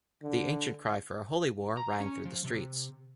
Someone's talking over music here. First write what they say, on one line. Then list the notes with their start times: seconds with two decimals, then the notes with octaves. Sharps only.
The ancient cry for a Holy War rang through the streets.
0.23 D3
1.77 A#5
2.00 C#4
2.25 F3
2.44 C3